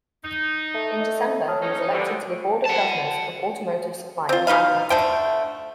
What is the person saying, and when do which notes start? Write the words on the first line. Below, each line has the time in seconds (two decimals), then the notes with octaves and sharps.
In December, he was elected to the board of governors of automotive supplier Magna.
0.24 D#4
0.75 A3
1.00 D#5
1.48 F#3 A5 D#6 F6
1.62 C#4 D#4
1.92 B2 D3 G3 C5 D5
2.65 F#5 A5
4.29 C4 F4
4.47 B2 D#4 B4 F5
4.90 D3 A3 C5 G5